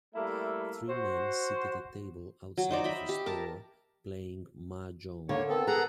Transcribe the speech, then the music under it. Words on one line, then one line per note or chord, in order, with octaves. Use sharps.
Three men sit at a table outside of a store, playing Mahjong.
G3 A3 A#3 E4 A4 E5
F#4 C5
F#3
D#4 C5 D5
D#5 E5 G5 B5
G4
A#4 A5
D3 A#3 C#5
B3 C4 A4 A#4
G#4 F#5 A#5